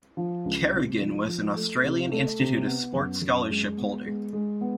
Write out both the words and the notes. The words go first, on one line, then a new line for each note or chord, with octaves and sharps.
Carrigan was an Australian Institute of Sport scholarship holder.
F3
C#2
C3
F3
F3
A3
C3
A3
C3
B3
F#2
F#2
G#3
B3
G#3
G#3
B3